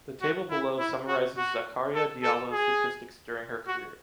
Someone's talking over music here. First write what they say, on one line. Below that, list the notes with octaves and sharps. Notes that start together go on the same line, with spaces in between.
The table below summarizes Zakaria Diallo’s statistics during his career.
F#4
E4
E4
F#4
F#4
A4
A4
G#4
F#4